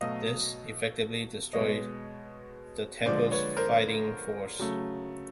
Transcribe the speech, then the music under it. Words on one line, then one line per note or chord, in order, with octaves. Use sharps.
This effectively destroyed the temple's fighting force.
B2 F#3 A3 D#5 F5
B2 G#3 B3 C#5 D#5
D3 F3 G#3 C5 D5
B4 C#5
A#4 C5
C#3 F#3 A3